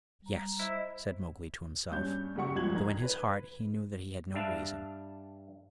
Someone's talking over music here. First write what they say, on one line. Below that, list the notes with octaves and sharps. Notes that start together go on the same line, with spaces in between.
"Yes," said Mowgli to himself, though in his heart he knew that he had no reason.
G3 A#5
E4 C5 D#5
G2 C#4 G6
F#2 C#3 G4 F#5 C#6
C#2 G2 F3 G#6 F#7
D#3 A#5 G#6
B4
G2 D4 E5 F5 A5